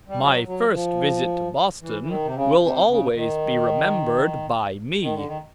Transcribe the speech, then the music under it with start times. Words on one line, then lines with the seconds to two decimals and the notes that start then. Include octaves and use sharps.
My first visit to Boston will always be remembered by me.
0.09 G3
0.21 F#3
0.47 F#3
0.74 F3
1.81 E3
2.01 E3
2.08 D#3
2.25 C3
2.34 C#3
2.62 C3
2.88 C#3
3.15 D#3
5.02 D#3
5.14 D3
5.27 D#3